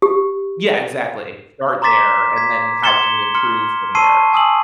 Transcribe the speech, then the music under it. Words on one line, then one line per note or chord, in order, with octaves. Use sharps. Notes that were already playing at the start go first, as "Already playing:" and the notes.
Yeah, exactly. Start there, and then how can we improve from there.
G4
A#5 C6 D6 A6 B6 E7
G#6 B6
C6 G#6 A6 C#7 E7 G7
C6 F6 A6 C#7
A5 C6 C#6 E6 C7 D#7
G#5 D#6 E6 F#7